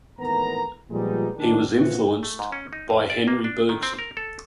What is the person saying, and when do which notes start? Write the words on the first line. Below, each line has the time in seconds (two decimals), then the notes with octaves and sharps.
He was influenced by Henri Bergson.
0.18 G#1 E2 A2 B3 A#4 A#5
0.90 A#2 F3 G3 G#3 B3 D#4
1.36 A#1 D#3 D4
1.77 A#2 D3 E3 F3 F4 F#4
2.23 A3
2.39 G#2
2.52 C#4
2.73 D#4
2.90 F2
3.10 D5
3.28 A#3
3.44 D4
3.69 D#3
3.83 C4
3.99 A#4
4.17 A4